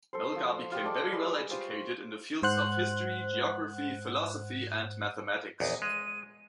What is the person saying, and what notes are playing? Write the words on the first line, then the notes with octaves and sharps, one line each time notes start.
Melgar became very well educated in the fields of history, geography, philosophy and mathematics.
A4 C5
F3 E6
F4 G4 G5
G#3 A4 D5 A5
G3 G#3 B4 E6
F4 G4 C5 C#6
G#2 C5 F#5 F#6
A#1 E2 D#5
G#3 D#7